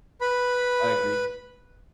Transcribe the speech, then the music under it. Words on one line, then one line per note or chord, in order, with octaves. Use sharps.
I agree.
B4 B5